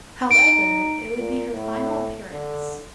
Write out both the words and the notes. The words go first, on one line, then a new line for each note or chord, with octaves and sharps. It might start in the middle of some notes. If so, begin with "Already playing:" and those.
However, it would be her final appearance.
D#4 D7
A#2
A2
D3